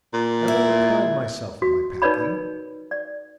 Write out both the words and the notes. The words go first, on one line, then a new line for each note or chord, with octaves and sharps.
I rather pride myself on my packing.
A#2
E4
F#4
D#4 A#4 B4 C#5 D5 B5
D5